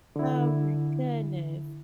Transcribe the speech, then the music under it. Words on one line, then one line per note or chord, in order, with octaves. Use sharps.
Oh my goodness.
D3 E4